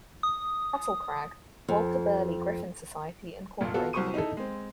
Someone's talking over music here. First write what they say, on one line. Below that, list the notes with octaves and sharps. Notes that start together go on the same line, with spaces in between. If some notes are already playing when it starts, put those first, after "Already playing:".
Castlecrag: Walter Burley Griffin Society Incorporated.
D#6
F2
F1 G2 A#2
B3 F4 F#4 A4
C2 F#3 C4 C5 C#6 D#7
D#4 E4 A4
G#3 C4